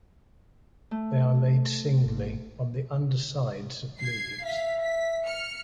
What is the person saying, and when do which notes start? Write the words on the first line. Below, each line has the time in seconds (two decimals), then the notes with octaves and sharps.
They are laid singly, on the undersides of leaves.
0.91 A3
2.06 G#1 A#2
3.99 G#6 C7
4.42 E5 F5 B6
4.82 B6
5.26 F6 C#7